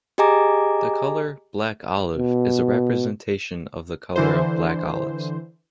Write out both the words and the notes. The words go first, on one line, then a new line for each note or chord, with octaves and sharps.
The color "black olive" is a representation of the color of black olives.
G4 G#4 D#5 G#5 A#5 D6
B2
D3 E3 C5